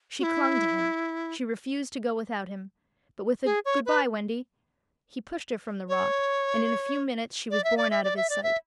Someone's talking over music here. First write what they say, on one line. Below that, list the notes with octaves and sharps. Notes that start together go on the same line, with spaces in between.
She clung to him; she refused to go without him; but with a "Good-bye, Wendy," he pushed her from the rock; and in a few minutes she was borne out of his sight.
F#4
E4
G#4
C#5
B4
C#5
D5
E5
D5
E5
D5
E5
D5
E5